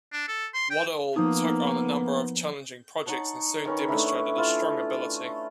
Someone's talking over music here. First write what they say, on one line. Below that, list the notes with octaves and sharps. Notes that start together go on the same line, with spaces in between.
Waddell took on a number of challenging projects and soon demonstrated a strong ability.
D4
A4
C6
G5
F3 A#3 B3 D#4 D#6
D#4 C#5 F#5 A5
D#3 C#4 B4
A3 C#4 D4 E4
E4 F4